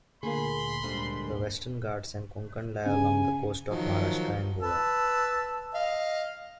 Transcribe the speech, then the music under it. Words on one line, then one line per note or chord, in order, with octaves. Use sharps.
The Western Ghats and Konkan lie along the coast of Maharashtra and Goa.
D2 A#2 A#3 G#4 B5 C6
G#2 D3 G3
C#3 G#5
D#3 F3 F#3
B4 A5 E6
D#5 F5